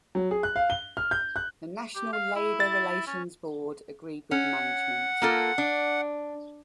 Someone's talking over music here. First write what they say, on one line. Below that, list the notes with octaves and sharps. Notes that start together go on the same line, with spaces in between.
The National Labor Relations Board agreed with management.
F#3
G#4
F#6
F5
G7
F6
G6
F#6
G4
F5
E4
A6
C#4
C#4 F#5
A#3 F4 A4
D4